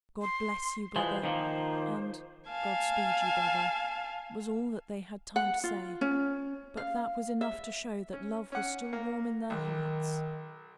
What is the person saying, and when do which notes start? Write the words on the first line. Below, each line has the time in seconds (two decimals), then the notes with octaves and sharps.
"God bless you, brother," and "God speed you, brother," was all that they had time to say, but that was enough to show that love was still warm in their hearts.
0.22 C6
0.96 E3 F3 G#3 C5
1.23 D#3 F3 A#3
2.50 F5 G#5 A5
5.36 F#5
5.64 F4
6.01 C#4
6.77 F5
7.41 E5
8.13 C#4
8.52 C#4 F#5
8.93 A#3
9.50 B1 D#3